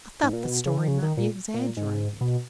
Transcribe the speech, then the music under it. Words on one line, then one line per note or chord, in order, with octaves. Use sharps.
I thought the story might be exaggerated.
G#2
A#2
B2
C#3
D#3
C#3
D#3
A#2
A#2
G#2
B2